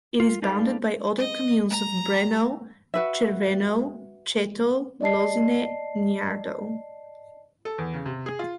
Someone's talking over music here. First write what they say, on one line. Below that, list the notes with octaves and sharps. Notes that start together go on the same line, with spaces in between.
It is bounded by other communes of Breno, Cerveno, Ceto, Losine, Niardo.
F4
D#4 G#4 A4 B4 D5 F5
D#5
A#5
F#4 B4 E5
D5 D#5 A5 C7
A4
E2
C#3
C3
G#4
F4